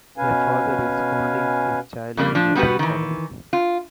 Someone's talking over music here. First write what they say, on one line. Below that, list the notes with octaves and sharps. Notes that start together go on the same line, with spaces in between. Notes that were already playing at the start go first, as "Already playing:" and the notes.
A father is holding his child in a blue towel.
B2 C#4 B4 F5 G#5
F2 C#3 G3 A#3
F3 D4
G3 B3 F#4 G4 B4
D#3 E3
F4